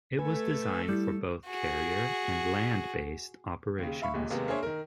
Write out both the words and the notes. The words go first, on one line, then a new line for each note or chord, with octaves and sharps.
It was designed for both carrier- and land-based operations.
A3 A4 B4 G#5
G3 E4
F#4 G#4
D#2 C#3
E5 F5 B5 C#6
D#1 C#2 A#2
D#2 C3 G#3 A#3 B3
A#3 D4 G#4 C5 C#5 E5
D#3 A#4